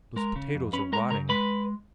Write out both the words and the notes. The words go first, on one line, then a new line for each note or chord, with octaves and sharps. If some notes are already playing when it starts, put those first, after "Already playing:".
Those potatoes are rotting.
G#3 A#4 A#5
C#3
F2
C#4 B4 B5
G#3 A#4 A#5
C#3 A#4 A#5
G#3 B4 B5